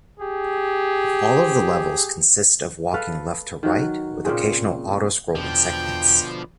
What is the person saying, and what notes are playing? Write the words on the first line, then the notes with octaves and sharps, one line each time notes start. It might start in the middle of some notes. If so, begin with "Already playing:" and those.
All of the levels consist of walking left to right, with occasional auto-scrolling segments.
G4 G#4
A4 B4 F5
D#3 F#3 F#4
A#2 C#3 C4 G#4
E2 B2 D3 F3 G5